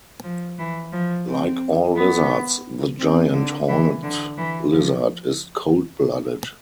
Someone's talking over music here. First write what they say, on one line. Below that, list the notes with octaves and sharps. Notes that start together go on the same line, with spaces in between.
Like all lizards, the giant horned lizard is cold-blooded.
F3
E3
F3
C4
B3
C4
D3
E3
D3
E3
F3